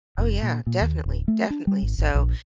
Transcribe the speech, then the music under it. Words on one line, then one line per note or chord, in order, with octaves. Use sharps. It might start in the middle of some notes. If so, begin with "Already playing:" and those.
Oh, yeah, definitely, definitely, so,
F1
A#2
A#2
D#2
D1
A3
D4
G3
G#1
G#1
A#1